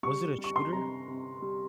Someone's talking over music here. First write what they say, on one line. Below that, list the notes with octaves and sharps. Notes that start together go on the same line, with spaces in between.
was it a shooter?
G3 C#6
G3
C#6
C6
C3 A#5
C3
G3